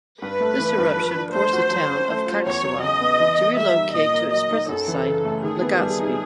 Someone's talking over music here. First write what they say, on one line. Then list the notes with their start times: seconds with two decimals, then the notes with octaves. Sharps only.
This eruption forced the town of Cagsawa to relocate to its present site, Legazpi.
0.22 G2 B4
0.40 A3
0.59 E3
0.78 G2
0.97 F3
1.15 D4
1.33 A3 C5
1.53 F#4
1.71 F#3
1.90 C#4
2.09 A3
2.26 F4
2.46 E2 C#5
2.63 F#3
2.82 C#3 D#5
3.01 B3
3.20 E3
3.38 A#3
3.56 G3 E5
3.76 D#4
3.94 A#2 D#5
4.13 A#3
4.31 F#3 D#5
4.50 D#4
4.69 F#2 A4
4.88 E3
5.06 C#3
5.25 A3
5.43 D#3 G#4
5.62 B3
5.81 G3
5.99 D#4